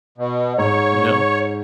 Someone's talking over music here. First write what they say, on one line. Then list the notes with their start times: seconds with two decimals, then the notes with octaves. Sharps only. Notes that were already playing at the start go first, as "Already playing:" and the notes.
you know?
0.18 B2
0.58 G#2 C#5